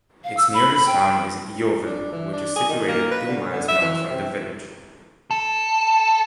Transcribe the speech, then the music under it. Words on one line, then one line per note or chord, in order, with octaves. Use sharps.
Its nearest town is Yeovil, which is situated two miles north from the village.
F5
E6
B5
G5
D4
E3
D4
G#4
D#3
A#3
B4
D3
D3
E5
E3
C3
A4